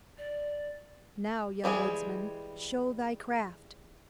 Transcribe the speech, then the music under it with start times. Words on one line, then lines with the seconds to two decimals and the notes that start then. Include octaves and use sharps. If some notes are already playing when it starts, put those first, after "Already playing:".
Now, young woodsman, show thy craft!
0.18 D5
1.64 E3 G3 G#3 G#4